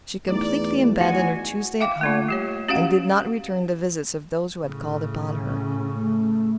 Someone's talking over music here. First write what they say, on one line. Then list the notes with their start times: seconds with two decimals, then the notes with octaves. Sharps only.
She completely abandoned her Tuesdays at home, and did not return the visits of those who had called upon her.
0.28 E2 A3 D#4 D5
1.01 G#3 F#4 G#5
1.80 E5 F5 G5 D6
2.01 A3 A#3 F4
2.28 G3 G4 C#5
2.68 C#4 F#4 G4 F5 F#5
4.63 A2 C#3
5.45 C#4
5.95 A3